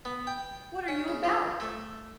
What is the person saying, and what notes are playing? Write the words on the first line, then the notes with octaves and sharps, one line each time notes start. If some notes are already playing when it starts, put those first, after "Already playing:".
What are you about?'
B3
G5
C#4
C#3
F3
A3